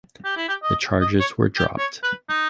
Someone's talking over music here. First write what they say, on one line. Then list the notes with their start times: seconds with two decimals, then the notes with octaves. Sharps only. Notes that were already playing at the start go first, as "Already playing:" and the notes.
The charges were dropped.
0.24 G4
0.37 E4
0.49 G4
0.63 D#5
1.01 D#5
1.20 C#5
1.58 G4
1.78 C#5
2.03 B4
2.29 D#4